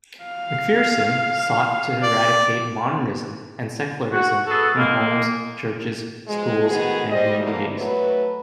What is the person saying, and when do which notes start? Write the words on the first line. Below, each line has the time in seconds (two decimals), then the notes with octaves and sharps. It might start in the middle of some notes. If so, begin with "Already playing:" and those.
McPherson sought to eradicate modernism and secularism in homes, churches, schools, and communities.
0.24 F5
2.03 D5
4.12 F#4
4.47 B3 F#4 G#4 A4
4.77 E2 G#3 A#3
6.28 B2 F3 G#3
6.69 D#3 G#3 B3 F#4 G#4
7.10 G3 G4 C5 D#5
7.41 B2 E3 F3 A3 A#3
7.78 F#3 A3 B4